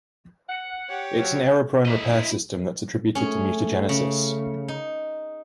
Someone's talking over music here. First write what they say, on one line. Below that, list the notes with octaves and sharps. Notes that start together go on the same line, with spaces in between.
It is an error-prone repair system that is attributed to mutagenesis.
F#5
G4 C#5
F3 F#3
E4 D#5
A3 C#4 G#4
C#3
D#4